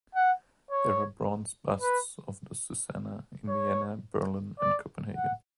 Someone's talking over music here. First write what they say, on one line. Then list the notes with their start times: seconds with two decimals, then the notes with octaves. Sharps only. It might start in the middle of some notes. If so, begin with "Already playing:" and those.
There are bronze busts of the "Susanna" in Vienna, Berlin, and Copenhagen.
0.15 F#5
0.71 C#5
1.81 B4
3.48 C#5
4.60 D5
5.16 F#5